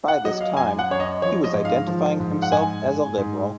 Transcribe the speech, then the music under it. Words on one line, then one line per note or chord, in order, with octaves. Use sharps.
By this time, he was identifying himself as a Liberal.
F#5
F#3 D#5
F5
F#2 G#5
F#5
F#2 C#5
D#5
F3 C#5
D#5
G#2
F5
F3
G#2
F#5
G#2 G#5
G#2
G#2